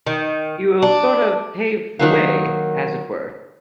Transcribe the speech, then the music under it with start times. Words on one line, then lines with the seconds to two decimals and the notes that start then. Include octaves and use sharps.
You will sort of pave the way, as it were.
0.07 D#3
0.82 D4
1.99 D#3 F#3 A#3